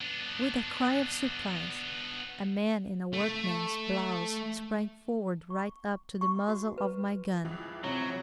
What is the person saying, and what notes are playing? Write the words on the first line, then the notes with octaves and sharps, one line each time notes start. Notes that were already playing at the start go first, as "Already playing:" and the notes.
With a cry of surprise, a man in a workman's blouse sprang forward right up to the muzzle of my gun.
B3 D4
A3
C#6
C#6
F#4
B4
C#2 E3 F3
C3 F#3 C#5